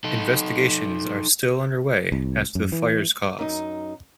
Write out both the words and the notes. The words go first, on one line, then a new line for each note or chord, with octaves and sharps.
Investigations are still underway as to the fire's cause.
D#4 A4
C2
F#2
E3
F#2 D#4